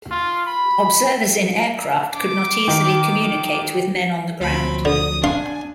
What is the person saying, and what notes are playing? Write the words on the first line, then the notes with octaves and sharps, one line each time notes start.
Observers in aircraft could not easily communicate with men on the ground.
F4
B5
D6
D#3
D2 F3 F#3 C4 B5
D3 D#6
D4 F5 G#5 C6